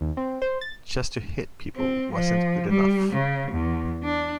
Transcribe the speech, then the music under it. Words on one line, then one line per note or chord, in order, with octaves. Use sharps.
Just to hit people wasn't good enough.
D#2
C4
C5
A6
C4
F3
G3
C#3
E2
D4